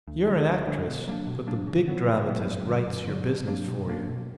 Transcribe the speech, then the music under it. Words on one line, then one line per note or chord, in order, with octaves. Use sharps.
You're an actress, but the Big Dramatist writes your business for you.
D2
D3 G3
D2
D3 G3
B2
F#3 A#3 D4
B2
F#3 A#3 D4
C#3
F#3 B3
C#3
F#3 B3
F#2
D3 F#3
F#2
D3 F#3
B2
F#3 A#3 D4
B2
F#3 A#3 D4
B2